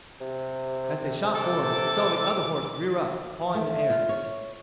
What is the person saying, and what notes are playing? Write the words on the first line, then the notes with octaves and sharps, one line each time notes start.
As they shot forward, he saw the other horse rear up, pawing the air.
C3
A4 D6
A3
F4
C#5